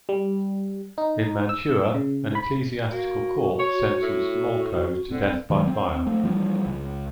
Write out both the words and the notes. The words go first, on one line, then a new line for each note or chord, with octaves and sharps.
In Mantua an ecclesiastical court sentenced Molcho to death by fire.
G3
D#4
E6
C#3
B5
A#3 F#4
C#5
A2
D3 C4
D#3 F#3 G#3
C4
A3 C4
E3 F3 G3
C#2